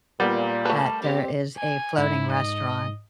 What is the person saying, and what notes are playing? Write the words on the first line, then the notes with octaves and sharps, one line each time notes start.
at there is a floating restaurant
A#2 G3 A#3 B3
A3 B4 A5
C4 G4
G#5
G#2 E4
D#5